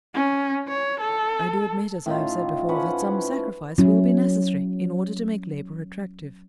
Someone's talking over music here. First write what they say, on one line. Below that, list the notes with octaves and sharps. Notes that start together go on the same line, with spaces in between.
I do admit, as I have said before, that some sacrifice will be necessary in order to make labour attractive.
C#4
C#5
A4
A2 C#4 D#4 F4
F3 C#4 B4 F#5
F#3 C#4 E4